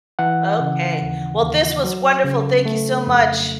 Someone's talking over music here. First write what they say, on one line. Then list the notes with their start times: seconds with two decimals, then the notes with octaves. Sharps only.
Okay. Well, this was wonderful, thank you so much.
0.19 E3 F#5
0.60 C#3
1.02 D#2
1.43 D#2
1.84 F#3
2.24 C#3
2.65 A3
3.07 F2